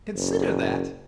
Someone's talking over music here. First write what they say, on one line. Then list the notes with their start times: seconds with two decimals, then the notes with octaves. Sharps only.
Consider that!
0.14 F#1